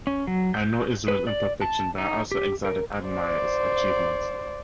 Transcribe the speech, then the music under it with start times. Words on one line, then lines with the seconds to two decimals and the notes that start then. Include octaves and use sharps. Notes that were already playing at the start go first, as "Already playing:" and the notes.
I know Israel's imperfections, but I also exalt and admire its achievements.
0.07 C#4
0.27 F#3
0.54 G6
1.08 B4
1.27 D5
1.61 A5
1.98 D#4
2.32 G4
2.65 A#4
3.05 C5 D5